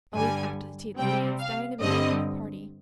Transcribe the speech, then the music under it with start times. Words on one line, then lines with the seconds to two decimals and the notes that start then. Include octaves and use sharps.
A week after the tea at the manse Diana Barry gave a party.
0.14 G2 D3 G3 G#5
0.98 C3 G3 C4 G5
1.40 F5
1.81 G2 D3 G3 C4 D#5